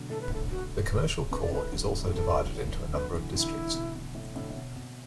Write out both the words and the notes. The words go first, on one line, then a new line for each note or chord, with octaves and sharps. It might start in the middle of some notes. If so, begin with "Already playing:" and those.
The commercial core is also divided into a number of districts.
Already playing: B2 D3 F#3
A2 A4
B4
A2 D3 A4
F#4
B4
A2 D3 B4
D5
A2 D3 B4
D3 F#3
B2
B2 E3 A4
D3 F#3
E3 A3
D3 F#3 B4
B2 E3
A2 D3 E4
A2
B2
B2
A2
A2 D3
A2
B2
B2